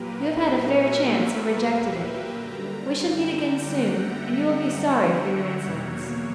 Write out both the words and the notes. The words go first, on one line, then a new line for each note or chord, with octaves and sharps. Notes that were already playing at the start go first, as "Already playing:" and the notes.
'You have had a fair chance and rejected it. We shall meet again soon, and you will be sorry for your insolence.'
Already playing: A#2 F#3 A#3 G4 A#4 B4
E5
E5
G5
F#2 D3 G3 A#5
G5
F#5
E5
C#5
E2 B2 F#3 A#3 C#5
C#5